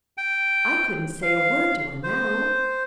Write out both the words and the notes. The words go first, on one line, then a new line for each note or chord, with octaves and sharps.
"I couldn't say a word to her now."
G5
F5
C5